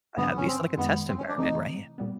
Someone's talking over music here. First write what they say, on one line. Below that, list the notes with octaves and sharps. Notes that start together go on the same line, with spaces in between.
At least, like, a test environment, right?
G2 D3 F3 B3
C#4
C4
F#2 D#3 G#3 B3
C4
C#4
D4
C3 E3 A3 C4 D#4
A#2 G3 B3